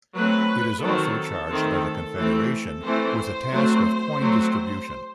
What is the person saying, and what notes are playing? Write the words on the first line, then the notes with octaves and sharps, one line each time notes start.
It is also charged by the Confederation with the task of coin distribution.
F#3 A3 C4 B4
D#3 F#3 C4 A4
D#3 A3 C4
E3 A3 C4
E3 A3 C4 C5
F#3 A3 C4
F#3 A3 C4